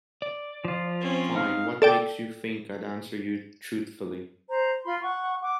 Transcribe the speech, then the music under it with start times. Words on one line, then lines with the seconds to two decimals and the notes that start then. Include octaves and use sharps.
Fine, what makes you think I'd answer you truthfully?
0.22 D5
0.65 F3 F4
1.01 C4 C#4
1.36 D#4 F5
1.82 A4 D5 G5
4.50 C5 A#5
4.84 F4 B5 C6
5.01 F#5 C#6
5.42 F#5 D6